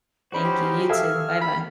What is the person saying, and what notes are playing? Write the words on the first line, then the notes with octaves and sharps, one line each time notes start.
Thank you, you too. Bye-bye.
C#4 D#4 F#4 C5 B5
G4
G#4 A4 E5 F5 C#6 E6 F6
B5